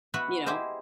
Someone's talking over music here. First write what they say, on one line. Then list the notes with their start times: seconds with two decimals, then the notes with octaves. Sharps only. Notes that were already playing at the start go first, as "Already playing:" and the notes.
you know
0.14 B3 F#4 B4 E5 B5
0.46 E4 G4 G#4 C5 D#5